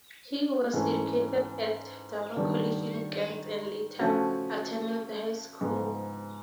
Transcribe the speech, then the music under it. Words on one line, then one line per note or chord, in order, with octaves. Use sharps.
He was educated at Dover College in Kent and later attended The High School.
G#2 E3 A3 C#4
G2 D#3 G3 B3 D4
F3 A3 C#4 F#4
G#2 F3 G#3 B3